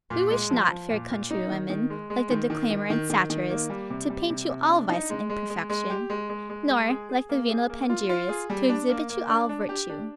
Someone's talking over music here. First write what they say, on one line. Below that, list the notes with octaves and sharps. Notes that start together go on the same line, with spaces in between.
We wish not, fair countrywomen, like the declaimer and satirist, to paint you all vice and imperfection, nor, like the venal panegyrist, to exhibit you all virtue.
A#2
G#3
F3
F3
A#2
A#2
D#4
D#3
D#3
G#3
G#3
D#3
D#3
D#3
D#3
D#3
D#3
A#3
G3
C3
G3
C3
C3
D4
D#4
G#3
G#3
G#3
G#3
G4
G#3
G#3
G#3
G#3
G#4
G#4
A#3
G#4
A#3
F4
F4
G#4
G3
D4
A#3
A#3
D4
D4
G4
D4